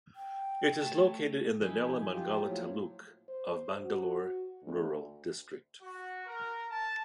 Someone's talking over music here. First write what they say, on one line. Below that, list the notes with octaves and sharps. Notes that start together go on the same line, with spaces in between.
It is located in the Nelamangala taluk of Bangalore Rural district.
G5
A3 C#5 A5
F3 D#4 E4 G#5
F4 G4
A2 F3 F#3 A#3
C5
F#4
D2
F#4
A#4
A5